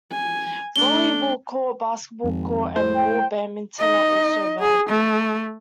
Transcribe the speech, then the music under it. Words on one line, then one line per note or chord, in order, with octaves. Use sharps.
Volleyball court, basketball court and ball badminton are also available.
G#5
A3 D4 G7
G#1 F2
A2 C5
G5
D#4 D#5
G#4
A3